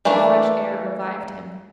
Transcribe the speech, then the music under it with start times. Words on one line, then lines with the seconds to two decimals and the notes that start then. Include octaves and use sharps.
The fresh air revived him.
0.05 E3 A3 A#3 D4